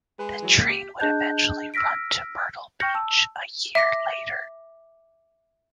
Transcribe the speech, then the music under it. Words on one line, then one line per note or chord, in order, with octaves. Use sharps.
The train would eventually run to Myrtle Beach a year later.
G#3 B4
E3 F#3
C#2 A#3 B6
G4
D4 G#4 D#5 A5 F#6 G6
E6 F6 A#6 B6 D7
G5 C#6 F6 G6 A#6 C#7
A5 E6
E5 D6 A#6